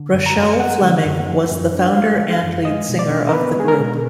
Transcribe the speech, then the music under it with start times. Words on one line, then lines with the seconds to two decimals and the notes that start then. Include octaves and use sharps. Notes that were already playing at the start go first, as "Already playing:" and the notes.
Rochelle Fleming was the founder and lead singer of the group.
Already playing: D3
0.13 F#2
0.26 A#5
0.37 F#2
0.60 G#3 F#5
0.82 D3
1.05 F#2
1.29 F3
1.51 F#2
1.75 D4
1.96 G#3 F5
2.19 F3
2.31 F5
2.43 F#2
2.65 G#3 D#5
2.88 B2
2.99 D5
3.10 D4
3.29 A#4
3.33 B3 B4
3.56 G#3 G#4
3.68 A#4
3.79 B2